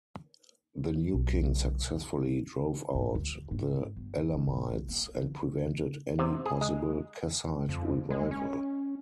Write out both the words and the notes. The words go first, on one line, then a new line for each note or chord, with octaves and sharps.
The new king successfully drove out the Elamites and prevented any possible Kassite revival.
B1
G#2
D2
F#1
G#2
G1
E3
G2
C2
A#3
E3
C3
G#4
G#3
F2
G#3
C#4